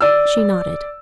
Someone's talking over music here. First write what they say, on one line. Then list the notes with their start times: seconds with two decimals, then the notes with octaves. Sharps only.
She nodded.
0.01 D5 E6